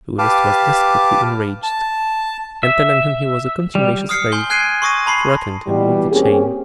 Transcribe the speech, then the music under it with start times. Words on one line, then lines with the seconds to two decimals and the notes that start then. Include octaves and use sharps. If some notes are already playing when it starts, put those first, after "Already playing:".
Mr. Willis was desperately enraged, and, telling him he was a contumacious slave, threatened him with the chain.
0.18 G4 B4 F5 A5 D6
1.63 A5
2.63 E5
3.75 G3
4.09 D#6 F6 C7 C#7
4.32 G#5 C6 G6 G7
4.50 G#5 F#6 G#6 C7 D7 D#7
4.82 C6 C#6 D#6 A#6 D#7
5.06 A5 B5 C6 C7
5.67 B2 E3 G3
6.11 A#3 C4 C#4 G4 G#4